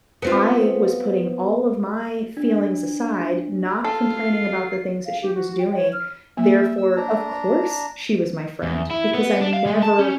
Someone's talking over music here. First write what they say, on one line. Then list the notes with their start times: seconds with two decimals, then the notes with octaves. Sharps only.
I was putting all of my feelings aside, not complaining about the things that she was doing. Therefore, of course, she was my friend because I never
0.22 B3 C4 F4
2.37 D4
3.84 F4 A4 C7
5.06 F5
5.22 G4
5.34 F#4
5.59 G5
5.75 C#5
5.93 F6
6.37 A#3 E5
6.78 E6
6.96 D4 A#5
8.63 E2
8.91 E4
9.14 B3
9.41 D4
9.53 F5
9.66 G#3
9.82 A5
9.99 C#4